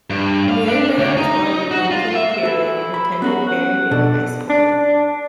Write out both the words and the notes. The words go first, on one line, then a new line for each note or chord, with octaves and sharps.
Nirenberg was born in Hamilton, Ontario, and attended Baron Byng High School.
G2
F5
D4
D2
D#4
F#4
F4
E5
E4 F#4 A4
B5
B3 C#4 F#4 A#4
F#5
B2 D4 A4 D5
D4